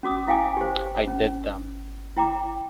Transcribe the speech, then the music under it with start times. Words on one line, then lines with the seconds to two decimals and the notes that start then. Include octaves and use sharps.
I did them.
0.03 C#4 F#4 D6 D#6
0.27 E4 F5 G5 G#5 D6
0.57 G4 C5
1.07 C#4
2.17 E4 G5 A#5 D6